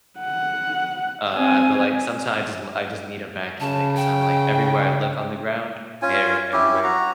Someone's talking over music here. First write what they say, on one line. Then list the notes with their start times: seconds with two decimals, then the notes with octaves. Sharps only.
uh but, like, sometimes I just I just need to vacuum it 'cause I'm, like, everywhere I look on the ground, hair everywhere,
0.20 F#5
1.35 C4 G#5
3.60 C#3 A5
3.96 G5
6.02 C#4 F4 G#5
6.53 C#4 E4 G4
6.84 F#4 A#5